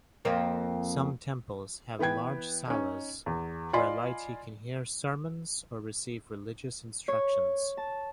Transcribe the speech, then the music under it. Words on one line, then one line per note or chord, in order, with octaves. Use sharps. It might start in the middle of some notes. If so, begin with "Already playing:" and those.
Some temples have large salas where laity can hear sermons or receive religious instructions.
F2 A#3 C4
E3 B3 B4 G5 G#6
C#4 D#4
E2
F4 D5 D#5 G#5 B5 C6
C#5
A5